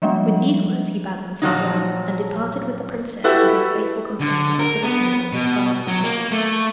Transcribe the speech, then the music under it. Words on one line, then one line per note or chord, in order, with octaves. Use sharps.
With these words he bade them farewell, and departed with the princess and his faithful companions for the kingdom of his father.
F3 G3 G#3 A#3 D4
A#2 F3 F#3 D#4
E4 F#4 G4 A4 B4 E5
D3
A#4
B3
B2
F#3
A#3
A3